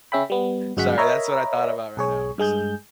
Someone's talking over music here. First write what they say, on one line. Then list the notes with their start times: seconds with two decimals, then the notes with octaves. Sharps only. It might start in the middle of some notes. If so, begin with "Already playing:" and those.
Sorry, that's what I thought about right now when you said
0.12 C#3 C#4 E5 G5 B5
0.30 G3 B3
0.77 G1 F#2 G#3 F#4 F#5 B6
0.97 A#4 C#5 D#5 E5 A#5 B5
1.97 B1 G#4 C#5
2.38 G2 G#3 G#4 G6